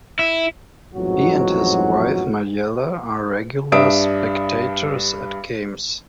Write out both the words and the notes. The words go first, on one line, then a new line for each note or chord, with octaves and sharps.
He and his wife Majella are regular spectators at games.
E4
A1 F2 G#2 F#3 F#4
G2 D4 E5 D#6 D7